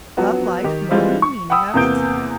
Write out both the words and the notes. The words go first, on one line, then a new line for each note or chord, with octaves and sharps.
"Love life more than the meaning of it?"
F3 F#3 B3 F#4
D#3 G4
E3 G3 G#3 C4 F4
C#6
F#5 G5 B5 D#6 E6
E2 C3 A#3 B3 G6 D7